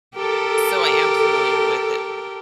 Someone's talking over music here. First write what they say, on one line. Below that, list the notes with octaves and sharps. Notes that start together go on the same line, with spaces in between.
So I am familiar with it
G4 A4 A#4